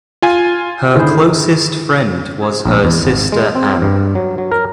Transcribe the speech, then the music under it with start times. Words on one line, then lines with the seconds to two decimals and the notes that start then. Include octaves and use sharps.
Her closest friend was her sister Anne.
0.22 F4 G#5
0.94 D3 D#3 E4 G#4 C5
2.42 G#4
2.65 A#1
2.84 E2
3.05 G#1
3.32 G#3
3.55 C4
3.82 G2
4.15 F#3
4.38 F#3
4.52 A#4